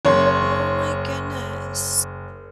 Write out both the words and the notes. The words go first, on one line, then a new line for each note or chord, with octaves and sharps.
Oh my goodness.
F#1 C#5 C6